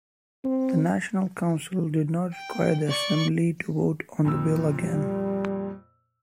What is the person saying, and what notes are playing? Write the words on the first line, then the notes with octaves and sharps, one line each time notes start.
The National Council did not require the Assembly to vote on the bill again.
C4
G5
D5 C#6
F2 A#2 E6
G3